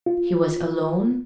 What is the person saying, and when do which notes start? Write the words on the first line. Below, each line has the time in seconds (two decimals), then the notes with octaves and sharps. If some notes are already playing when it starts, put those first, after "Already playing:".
He was alone.
0.06 F4